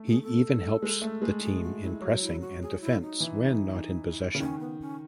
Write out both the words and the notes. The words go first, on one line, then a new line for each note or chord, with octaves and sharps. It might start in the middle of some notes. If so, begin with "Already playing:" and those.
He even helps the team in pressing and defense when not in possession.
Already playing: A3
G#4
A4
G#3
A3
G#3
G#4
F#4
E4
F#3
E4
F#4
G#4
E4
D#4
E3
C#3
D#3 C#4
B3
C#4